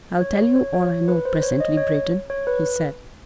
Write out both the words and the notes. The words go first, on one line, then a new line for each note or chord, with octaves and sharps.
"I'll tell you all I know, presently, Breton," he said.
C#5
C#5
C#5
C#5
B4
C5
C#5
D#5
C#5
C#5
B4